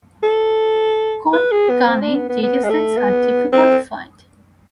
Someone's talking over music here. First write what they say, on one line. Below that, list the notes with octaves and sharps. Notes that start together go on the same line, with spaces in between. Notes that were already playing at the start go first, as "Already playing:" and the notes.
Konkani datasets are difficult to find.
A4
B4
G#4
B3
C4
D4
B3
B3
B3
G#3
A3
B3
C4